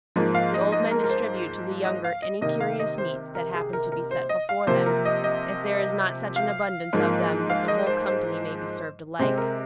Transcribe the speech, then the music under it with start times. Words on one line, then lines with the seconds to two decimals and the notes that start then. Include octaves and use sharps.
The old men distribute to the younger any curious meats that happen to be set before them, if there is not such an abundance of them that the whole company may be served alike.
0.16 G#2 F3 A#3
0.35 F5
0.54 D#5
0.72 D#5
0.91 A#4
1.04 A#4
1.10 C5
1.85 D#5
2.04 F5
2.22 D#5
2.41 C3 D#3 A#3 D#5
2.61 F5
2.79 D#5
2.98 C5
3.35 A#4
3.54 G#4
3.73 A#4
3.92 A#4
4.11 C5
4.29 D#5
4.49 F5
4.67 C3 F3 A#3 C5
4.86 A#4
5.05 D#5
5.24 D#5
6.36 F5
6.93 G#2 F3 A#3
7.50 F5
7.68 D#5
7.87 C5
8.06 C5
9.19 C3 G#3 C4 C5
9.38 A#4